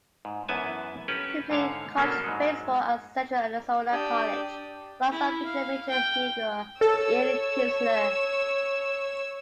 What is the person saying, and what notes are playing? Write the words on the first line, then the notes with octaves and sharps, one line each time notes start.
He played college baseball at Central Arizona College, alongside future major leaguer Ian Kinsler.
G#2
F#2 E3 B3 E5 G#5 A5
C#4 G4 A4 B4
G#2 D3 C#5 F5
B2 F#3 A#3 C#4 D4 A4
G#2 F#3 G#3
D4 G4 D5 D#6 E6 G6
E4
F5
G5
A4 C#5 E6